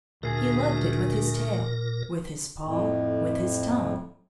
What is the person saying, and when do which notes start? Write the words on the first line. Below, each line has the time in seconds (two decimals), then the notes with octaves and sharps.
He loved it with his tail, with his paw, with his tongue.
0.23 D2 A#2 A3 G#4 A#4
2.65 F2 A2